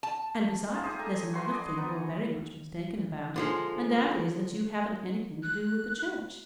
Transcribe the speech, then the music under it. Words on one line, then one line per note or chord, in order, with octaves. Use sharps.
And, besides, there's another thing you're very much mistaken about, and that is that you haven't anything to do with the church.
A5
D#4 F4 A5
G4 G#4 D#5 E5
A3 G#5 A#5
F#4 B4 C6
D5 D#5 G#5
B3 D#4
D3 F3 G#3
F#6